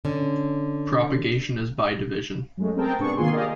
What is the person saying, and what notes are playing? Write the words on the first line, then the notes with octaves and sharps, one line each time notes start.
Propagation is by division.
D3 C#4
F#2 G#3 A3
C4 G#4 A#4 G5 A5
G#2 C3 B3 D4 G#4 C#6
D#3 A#3 F4 G#4 G#5 C6
G4 G#4 A#4 D5 D#5 F5